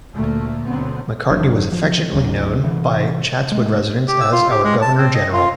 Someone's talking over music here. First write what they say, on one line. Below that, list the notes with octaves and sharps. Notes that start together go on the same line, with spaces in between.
Macartney was affectionately known by Chatswood residents as "our Governor General".
D2 A#2 A3 A#3
D2 B2 D3 F#3 B3 C4
F1 F#3 D4
F3
D1 D2 F#3 C#4
C3 E3
G#3 A3
G4
E6
F4
G4
G#3
A5
C4
D#5
F4